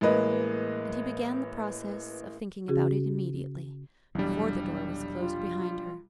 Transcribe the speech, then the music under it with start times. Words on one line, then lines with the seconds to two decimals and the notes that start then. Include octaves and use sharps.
And he began the process of thinking about it immediately,--before the door was closed behind her.
0.01 A1 G#3 A#3 B4 D#5
2.68 C#3 C#4 F#4 G#4
4.15 F1 B1 E3 F#3 G3 D4
5.15 F4